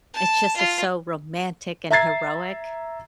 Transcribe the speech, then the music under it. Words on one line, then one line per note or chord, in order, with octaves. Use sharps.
it's just it's so romantic and heroic.
A5
F4
E5 A#5 G#6 A6 C7